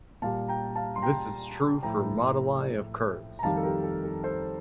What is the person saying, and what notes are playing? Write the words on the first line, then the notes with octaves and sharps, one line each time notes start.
This is true for moduli of curves.
A#2 G3 F5 A5
G5 A#5
F5 A5
C6
G5 A#5
A2 F3 G5 A#5
A#5
F2 D#3 G3 F5 A5
A4
G4 A#4
A4
A4
A4 C5